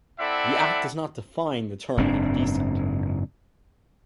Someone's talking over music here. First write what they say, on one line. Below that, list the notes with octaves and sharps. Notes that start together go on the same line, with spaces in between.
The Act does not define the term 'indecent'.
C4 E4 A4 D5 E5 F#5
F#1 G#2 C4 D4